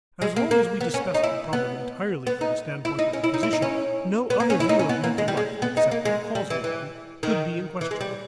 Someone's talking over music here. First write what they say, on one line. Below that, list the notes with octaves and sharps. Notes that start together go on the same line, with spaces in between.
As long as we discussed the problem entirely from the standpoint of the physician, no other view of mental life except the causal one could be in question.
G#3
A#3
A#3
B3
C#4
D#4
E4
B3
B3
D#4
E4
D#4
C#4
E4
D#4
E4
D#4
C#4
B3
A#3
C#4
E4
D#4
C#4
B3
A#3
G#3
G3
G#3
B3
D#4
A#3
G#3
G3
E3
E3
D#3
E3
G#3
G3